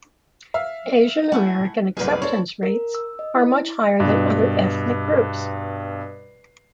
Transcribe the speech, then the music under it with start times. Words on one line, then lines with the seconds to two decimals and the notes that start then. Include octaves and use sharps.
Asian American acceptance rates are much higher than other ethnic groups.
0.54 E5 F5
1.32 A3 E4 F#5 G#5
1.97 F#1 C2 G#4 B4 D5
2.22 C4 E4 A4 C#5 D5
2.63 A#4
2.95 E6
3.19 D#5
3.35 E4
3.70 D6
4.00 G2 B2